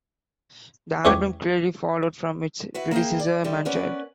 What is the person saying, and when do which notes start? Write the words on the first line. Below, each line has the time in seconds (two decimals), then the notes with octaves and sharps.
The album clearly followed from its predecessor "Man-Child".
1.05 E2 E3 G#3 C#4 G4 C#5
2.74 E4 F#4 B4
2.91 A#3 E4 G#4 A#4 G5
3.20 D5
3.44 D3 G3 E4
3.65 B3 C#4 A#4 B4 D5